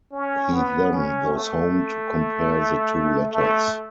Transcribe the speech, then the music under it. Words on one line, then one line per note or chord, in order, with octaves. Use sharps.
He then goes home to compare the two letters.
C#4
B3
C#4
A3
A3